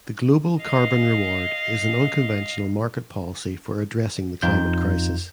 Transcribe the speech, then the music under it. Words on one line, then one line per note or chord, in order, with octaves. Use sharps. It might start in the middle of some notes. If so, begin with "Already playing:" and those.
The global carbon reward is an unconventional market policy for addressing the climate crisis.
D#5 F5
F2 D#4 F4 G6